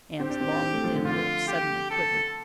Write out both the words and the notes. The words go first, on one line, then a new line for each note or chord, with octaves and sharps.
Anne's long, thin lips suddenly quivered.
C4 G4
D4
C4
D4
C4
A3
F3
D3
D3 F4
G4
A4